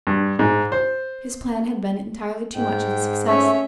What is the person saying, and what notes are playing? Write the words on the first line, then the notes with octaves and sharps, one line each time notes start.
His plan had been entirely too much of a success.
G2
G#2
C5
G#2 G5
A3 C#4 E5